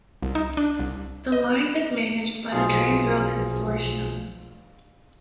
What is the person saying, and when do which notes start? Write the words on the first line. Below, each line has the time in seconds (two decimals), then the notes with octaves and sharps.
The line is managed by the Transrail consortium.
0.23 C2
0.35 D#4
0.57 D4
0.79 C2
1.32 D#5
2.52 B1 B2 F3 F4 G#4 F5